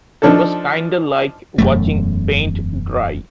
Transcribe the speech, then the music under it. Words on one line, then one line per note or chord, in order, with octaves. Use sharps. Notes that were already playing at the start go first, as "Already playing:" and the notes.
It was kinda like watching paint dry.
F3 D4 D#4 A4
E1 F#2 A3